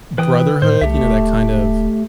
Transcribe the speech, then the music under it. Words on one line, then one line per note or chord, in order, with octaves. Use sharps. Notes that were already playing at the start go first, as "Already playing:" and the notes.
brotherhood, you know, that kind of
E3 B4 G5 D#6
A2 C5
C2 A3 G4 E5
D#1